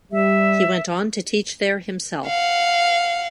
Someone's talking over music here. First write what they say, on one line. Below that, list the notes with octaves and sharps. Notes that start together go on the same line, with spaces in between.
He went on to teach there himself.
G3 E5
F5 F#5